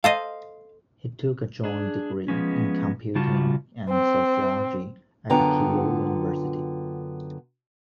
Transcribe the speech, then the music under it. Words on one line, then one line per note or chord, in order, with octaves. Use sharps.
He took a joint degree in computing and sociology at Keele University.
A4 C5 D#5 F5
D4 G#4
F3 G#3 B3 C#4
C#3 G3 F4 F#4 A5
C4
F#2 D3 B3 F4 G5 A#5